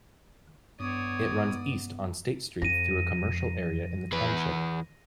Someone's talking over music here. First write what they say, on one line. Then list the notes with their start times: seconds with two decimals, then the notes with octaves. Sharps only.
It runs east on State Street through a commercial area in the township.
0.80 G2 B3 C#5 D5 D#6
2.62 F2 A#6 D#7
4.12 E2 B4